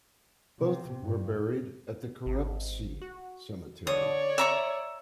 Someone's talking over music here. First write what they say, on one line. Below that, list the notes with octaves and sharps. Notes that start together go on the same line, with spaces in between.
Both were buried at the Kerepesi Cemetery.
C3
G2
G#1
F#4
D3 C#5 D5 D#6
E5 A#5 C#6